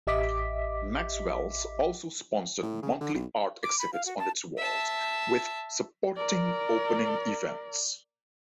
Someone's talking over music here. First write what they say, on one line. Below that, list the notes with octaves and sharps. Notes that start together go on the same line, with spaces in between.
Maxwell's also sponsored monthly art exhibits on its walls, with supporting opening events.
A1 G4 D#5 E5 D6 B6
A2
C#3
D3
B1
D6
B5
F5
F#4
A5
E5 A5
A#4 D5